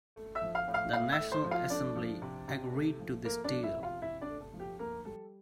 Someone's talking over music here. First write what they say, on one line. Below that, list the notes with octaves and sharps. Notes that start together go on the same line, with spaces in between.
The National Assembly agreed to this deal.
A3
E5 E6
F3
F5 F6
A2
F5 F6
A2 F5 F6
E5 E6
A3
C5 C6
F3
F4 F5
A3 D4 D5
F3
C3
C3
A3
F3
A3 A#3 A#4
D4 D5
F3
E4 E5
C3
F4 F5
C3 E4 E5
D4 D5
A3
A4
F3
G4
A#3 A#4
G3 A4